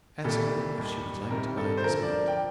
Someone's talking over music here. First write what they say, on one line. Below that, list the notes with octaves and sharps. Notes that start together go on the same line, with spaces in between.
'Ask her if she would like to buy this mantle.'
C2 A#2 G3 A4
D#2 D#3 G3
C2 C3 D#3 G3 A#4
A4
C5
D2 D3 F3 A#4
D5
G5